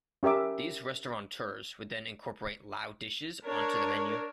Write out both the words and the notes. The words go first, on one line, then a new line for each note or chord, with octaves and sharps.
These restaurateurs would then incorporate Lao dishes onto the menu.
C#4 G4 A#4 E5 D6
D4 A#4 C#5